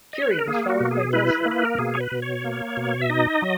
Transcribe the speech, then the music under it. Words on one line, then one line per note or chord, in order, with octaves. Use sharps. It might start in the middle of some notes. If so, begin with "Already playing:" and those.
Curie was followed by Tesla.
D#5
C#5
B4
A#4
A#3 G#4
F#4
B2
G#4
E4 B4
A#3
B4
A#4
B2 G#4
C#5
B4
B2
C#5
A#3
B2
E5
D#4 D#5
F#3